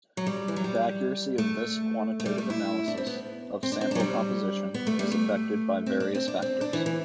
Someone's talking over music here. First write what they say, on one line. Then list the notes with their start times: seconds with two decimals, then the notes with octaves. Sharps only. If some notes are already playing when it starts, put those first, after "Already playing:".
The accuracy of this quantitative analysis of sample composition is affected by various factors.
0.17 F#3
0.27 G3
0.48 E3
0.56 F#3
0.64 G3
1.38 A3
2.20 A3
2.26 G3
2.38 A3
2.50 E4
2.88 D4
2.97 C4
3.07 B3
3.63 C4
3.72 D4
3.81 C4
3.91 D4
3.95 F#3
4.00 G3
4.74 B3
4.87 A3
4.99 G3
5.12 A3
5.86 C4
6.00 D4
6.15 C4
6.28 D4
6.42 C4
6.61 D4
6.73 E3
6.86 E3